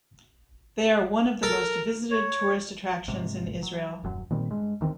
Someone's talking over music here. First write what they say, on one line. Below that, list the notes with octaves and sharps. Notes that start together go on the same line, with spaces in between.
They are one of the most visited tourist attractions in Israel.
A4 A#4
C#5
G#2 C3
F#3
D#1 F#2 F#3
A#2 D#3 G3 C4
G2 G#3
D2 D#3 G#3 C4